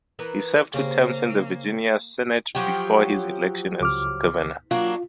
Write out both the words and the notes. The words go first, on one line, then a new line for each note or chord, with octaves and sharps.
He served two terms in the Virginia Senate before his election as governor.
E3 B3 A#4
C#3 A#3 C4 C#4 G4 G#4
F3 F#3 G4
C#2 D6 F6
F#3 A#3 D4 F4